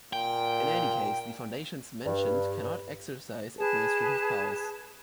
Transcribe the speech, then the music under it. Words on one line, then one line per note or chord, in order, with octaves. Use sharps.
In any case, the foundations mentioned cannot exercise administrative powers.
A#2 G5
G2
G#4 B4 A5